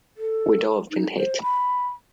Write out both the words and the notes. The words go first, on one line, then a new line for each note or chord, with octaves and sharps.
We'd all been hit.
A4
D#4
C5
B5